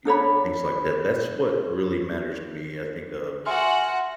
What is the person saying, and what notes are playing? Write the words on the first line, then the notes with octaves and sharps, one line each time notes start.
You know, things like that that's what really matters to me, I think, um,
D4 A4 C#5 B5
F#4 E5 F#5 G#5 C6 F6